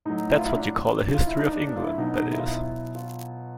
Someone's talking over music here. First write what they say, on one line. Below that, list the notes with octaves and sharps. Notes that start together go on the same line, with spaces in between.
That’s what you call a History of England, that is.
A2 F#3 D#4
E4
F4
E4
D4
F4
E4
D#4
D4
D4
F4
E4
B2 F#3 D#4
D#4
E4
F4
E4
F4